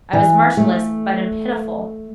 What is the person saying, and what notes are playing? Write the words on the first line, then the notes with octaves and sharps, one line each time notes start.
I was merciless, but am pitiful.
E3
A3